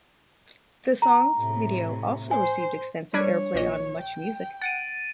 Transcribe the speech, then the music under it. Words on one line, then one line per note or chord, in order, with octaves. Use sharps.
The song's video also received extensive airplay on MuchMusic.
A#5
A2 C3
C5 G#5
G3 D4 C#5 G#6
A#1 A#2 D#5
G5
F#5 A6 D7 D#7